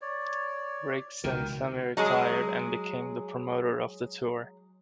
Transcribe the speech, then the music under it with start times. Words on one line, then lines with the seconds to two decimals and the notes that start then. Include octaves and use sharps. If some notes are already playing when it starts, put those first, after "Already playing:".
Riggs then semi-retired and became the promoter of the tour.
0.02 C#5 D5
1.24 C#2 B2 D#3 A#4 G5
1.97 F#3 G#3 G#4